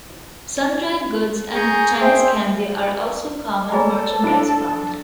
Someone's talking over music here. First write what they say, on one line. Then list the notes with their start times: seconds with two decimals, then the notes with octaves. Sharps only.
Sun-dried goods and Chinese candy are also common merchandise found.
1.54 G#4 G#5 A#5 C#6 G6
2.01 G#4 C5 E5 G5
3.72 G#4 A4 C#5 D5 G#5 A#5 B5
4.24 D4 E4 D7